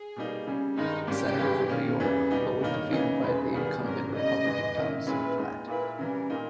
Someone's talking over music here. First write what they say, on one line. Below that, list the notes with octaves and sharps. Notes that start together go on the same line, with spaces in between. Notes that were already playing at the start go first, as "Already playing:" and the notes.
Senator from New York, but was defeated by the incumbent Republican Thomas C. Platt.
Already playing: G#4
B2 G3 A#3 D#4
C#3 G3 C#4
G2 D#3 G#3 D#4
G#2 G3 A#3 C#4 G4
G2 E3 G#3
D#3 A#3 C#4
E2 C#3 E3 G3 G#4
B2 G3 B3 D#4
G2 D#3 A#3 D#4 C#5
C#3 E3 A#3 D#4
E2 C#3 G#3 B4
G2 D#3 G3 B3 G#4
G#2 G3 C#4 A#4
C#3 G3 C#4 D#5
G#2 E3 G#3 D#4
D#3 A#3 C#4 E4
A#2 G#3 C#4 E4 B4
A#2 G#3 D#4
A#2 A#3 E4 B4
C#3 E3 G3 A#4
A#2 A#3 D#4